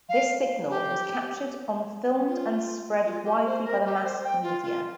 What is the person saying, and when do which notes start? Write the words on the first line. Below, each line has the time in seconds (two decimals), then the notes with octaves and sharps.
This signal was captured on filmed and spread widely by the mass media.
0.09 F5
0.69 G4
2.27 F4
3.05 F4
3.25 G4
3.45 C5
3.64 A#4
3.85 G4
4.04 C5
4.24 G5
4.43 F4
4.63 F4